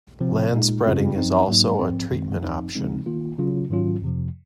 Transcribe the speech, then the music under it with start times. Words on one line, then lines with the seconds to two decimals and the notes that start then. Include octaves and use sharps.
Land spreading is also a treatment option.
0.20 C3 F3 C4
0.52 A#2 G#3 D#4
0.84 F#2 C#3 G#3 C4 F4
1.16 F#2 F3 C4 D#4
1.48 G#2 F#3 A#3 D#4
1.80 G#2 F3 C4
2.11 F#2 D#3 G#3 C4
2.43 F#2 F3 C4 D#4
2.75 C#3 F3 G#3 C4 D#4
3.06 D#3 A#3 F4
3.39 C#3 F#3 C#4 F4
3.70 G#2 D#3 F#3 C#4 F4
4.02 F2 C3 F3